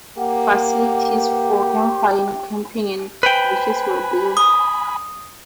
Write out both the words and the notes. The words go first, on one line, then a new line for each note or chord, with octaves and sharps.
Facilities for campfire and camping, and bridges were built.
A#3 G4 F#5
B4 C5 G5 G#5 B5
D#6